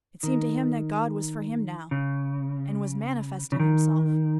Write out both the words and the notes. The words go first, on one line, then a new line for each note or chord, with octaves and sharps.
It seemed to him that God was for him now, and was manifesting Himself.
D#3
C#3
C#3
D#3